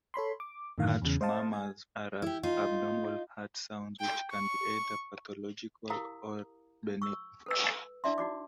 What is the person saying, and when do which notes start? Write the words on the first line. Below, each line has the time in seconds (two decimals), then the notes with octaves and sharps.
Heart murmurs are abnormal heart sounds which can be either pathological or benign.
0.14 A4 C#5 B5 C6
0.40 D6
0.78 F#2 A2 D3 D#3 F5
1.02 E2 C#3
1.21 C5 D#5 F5 A5
1.53 G#5
2.22 E4 G4
2.43 D#4 F4
3.99 G5
4.31 C#6
5.90 E4 G4 A#4 F5 A#5 D#6
7.02 C#6 E6
7.46 A4 B4 E6
8.04 D4 E4 D5 E5 C6
8.18 D#4 F#4 D5 D6